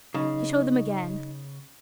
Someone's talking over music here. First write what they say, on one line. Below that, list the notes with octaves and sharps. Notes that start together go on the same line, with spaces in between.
He showed them again.
C#3 F#3 D#4 D#5